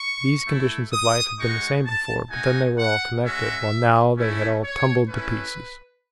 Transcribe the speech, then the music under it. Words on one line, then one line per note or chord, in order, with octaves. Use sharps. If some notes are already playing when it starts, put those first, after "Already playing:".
These conditions of life had been the same before, but then they were all connected, while now they had all tumbled to pieces.
Already playing: C#6
A3 E4
D#6
G#3 D#4 F#4 C#6
A5
A3 D#4 F#4 G#5
F#5
G#3 C#4 F#4 E5
A3 C#4 E4
C#5
A3 C#4 E4 B4